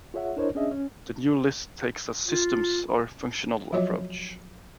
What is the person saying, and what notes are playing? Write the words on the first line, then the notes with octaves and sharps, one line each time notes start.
The new list takes a "systems" or functional approach.
F4 G#4 C#5 E5 F#5
D4 E4 A#4 C5 C#5 D#5
C#4 D4 G#4 D#5 E5
C#4
F4
F3 F#3 F4 F#4 C#5 D#5